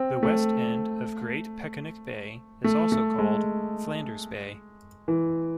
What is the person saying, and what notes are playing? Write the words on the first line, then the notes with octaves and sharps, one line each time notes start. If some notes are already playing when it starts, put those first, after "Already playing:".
The west end of Great Peconic Bay is also called Flanders Bay.
Already playing: C4
A3
A3
A3
G#3
E3